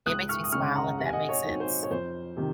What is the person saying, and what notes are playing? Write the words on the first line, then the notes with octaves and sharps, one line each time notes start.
It makes me smile, if that makes sense.
C#2 D#6 F#6
C#6 F6
D#6
C#3 G#3 C#4 C#6 F6
F#5 A#5
C3 F#5
G#5
D#5 F#5
C#5
F#3 C4 D#4
C5
C#5
F2 C5
C3 D#3